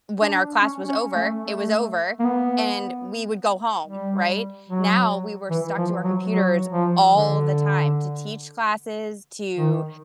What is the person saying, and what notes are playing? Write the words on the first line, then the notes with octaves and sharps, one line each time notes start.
when our class was over, it was over, and we would go home, right? Now we were stuck to our computers all the time to teach classes, to
D4
C#4
C#4
A3
A3
A#3
B3
G3
F#3
E3
F3
F#3
F#3
F3
D3
D#3